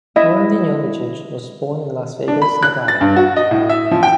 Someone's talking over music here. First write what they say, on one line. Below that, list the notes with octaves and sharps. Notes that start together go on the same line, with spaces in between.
Loren Dean Jovicic was born in Las Vegas, Nevada.
E4 D#5 E5
D4
B5
F#6
A6
G2
F#4
D#5
A2
E5
F3
G5